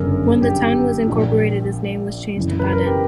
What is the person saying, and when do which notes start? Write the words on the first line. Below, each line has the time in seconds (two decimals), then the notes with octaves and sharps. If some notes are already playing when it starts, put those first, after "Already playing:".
When the town was incorporated its name was changed to Paden.
Already playing: G1 F#2 C#3 A#4
0.42 G4
1.07 A#1 A#2
2.36 F#1 F#2 E3
2.59 B4
2.73 A#4
2.86 G4